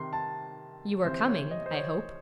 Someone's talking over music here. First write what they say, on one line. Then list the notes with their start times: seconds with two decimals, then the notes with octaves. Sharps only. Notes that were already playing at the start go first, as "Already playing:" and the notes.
'You are coming, I hope?'
Already playing: C3 D#3 C6
0.13 A5
1.05 C3 E3 C5
1.28 C#5
1.51 D#5
1.66 C5
1.74 C#5